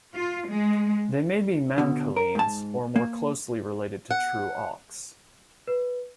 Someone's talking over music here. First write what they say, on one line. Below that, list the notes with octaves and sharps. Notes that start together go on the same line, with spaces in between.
They may be mancallines, or more closely related to true auks.
F4
G#3
B2 D3
A#4
G#2 A5
A#3
F#5
B4